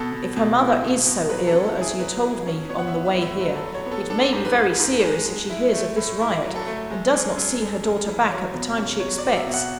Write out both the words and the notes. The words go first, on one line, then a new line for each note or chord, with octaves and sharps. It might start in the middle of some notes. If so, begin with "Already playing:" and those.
'If her mother is so ill as you told me on the way here, it may be very serious if she hears of this riot, and does not see her daughter back at the time she expects.
Already playing: B2 A4
B2
B2
E4
B2
B2
F#3 B4
A4
C#4
A4
E4
G#4
F#3 B4
E4
C#4
B3 C#5
F#5
E5
B3
E5
A2
E5
F#3 E5
A4
F#3
C#5
B3
A4
D4 A4
G#2
B4
G#2
G#2
G#3
G#3
E4
A3
A2
E4
F#3
A4
A3
G#3
F#2
F#2
F#2
F#2
E3
F#3 C#5
B2
C#4
F#3 C#5
D5
F#3
E5
B2
F#5